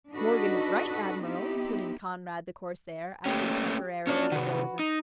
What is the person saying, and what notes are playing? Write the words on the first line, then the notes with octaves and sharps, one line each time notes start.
"Morgan is right, admiral!" put in Conrad the corsair, acting temporarily as bo'sun.
D4 D#4 F#4 A4 B4 D#5
B3 C4 D#4 E4 G4
A3 A#3 C#4 G4
A#3 C#4 D4 F#4 C#5
C3 D#3 F#4 B4
D#4